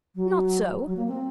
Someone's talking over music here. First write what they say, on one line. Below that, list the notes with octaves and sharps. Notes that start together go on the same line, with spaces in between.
"Not so."
F#3
F#3
A#3
C4